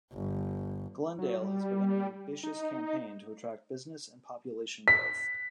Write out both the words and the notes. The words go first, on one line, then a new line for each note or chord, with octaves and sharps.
Glendale has begun an ambitious campaign to attract business and population growth.
G1
F#3
G3
D#4
B6